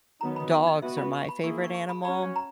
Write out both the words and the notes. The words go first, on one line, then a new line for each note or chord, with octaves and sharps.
dogs are my favorite animal,
D#3 F#3 B3 D#4 A#5
B5
C#6
D#5
B3 F#4 B4 E5
B5
C#6
B5
A#3 E4 G#4 C#6
C#6
C#6
B5
C#4 F#4 C#5 B5
A#5